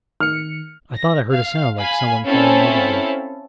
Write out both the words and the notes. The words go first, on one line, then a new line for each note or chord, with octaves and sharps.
I thought I heard a sound like some one falling overboard.
D#3 F6 C#7
A#6
F5
F5 G#5 B5
C4 C#4 E4 A4 F5 A5